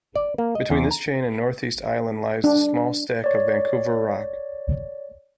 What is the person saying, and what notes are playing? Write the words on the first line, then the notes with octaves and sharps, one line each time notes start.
Between this chain and North East island lies the small stack of Vancouver Rock.
D5
A#3
D#5
E2
A#5
D4
C#5 D5